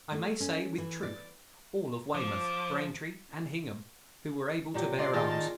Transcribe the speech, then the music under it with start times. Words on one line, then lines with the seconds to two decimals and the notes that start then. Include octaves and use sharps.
I may say with truth, all of Weymouth, Braintree, and Hingham, who were able to bear arms....
0.12 A3
0.40 C#4
0.78 E3
1.03 D5
2.15 F3 D6
4.74 A#2 F#3 G4
4.98 D5 D#5 F5 C6
5.13 D#3 F4 G#4 G5 A5